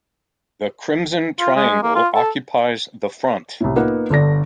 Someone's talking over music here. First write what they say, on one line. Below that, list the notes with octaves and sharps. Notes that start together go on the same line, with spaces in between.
The crimson triangle occupies the front.
F4
G#3
A#3
F4
A4
C2 A2
A#3 B3 D#4 F4 B4 F#5
G1 D3 A4 D5 A#6